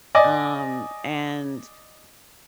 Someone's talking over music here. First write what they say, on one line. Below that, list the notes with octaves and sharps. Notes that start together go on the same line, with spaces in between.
um, and,
D5 D#5 G#5 D6